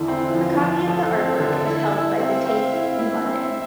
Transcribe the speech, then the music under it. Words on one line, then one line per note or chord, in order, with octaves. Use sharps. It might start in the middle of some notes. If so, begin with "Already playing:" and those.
A copy of the artwork is held by the Tate in London.
Already playing: E2 D3 E4
C4 F4
F3
F3 A4
F3
C4 E5
D3
E4 E5
E4
C4 F5
C4
E4
E4
C4 E5